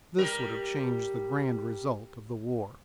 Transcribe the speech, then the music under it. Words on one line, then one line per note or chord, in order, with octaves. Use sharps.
This would have changed the grand result of the war.
G3 A#4